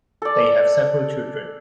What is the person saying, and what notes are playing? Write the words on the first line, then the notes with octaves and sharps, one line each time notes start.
They have several children.
A4 D5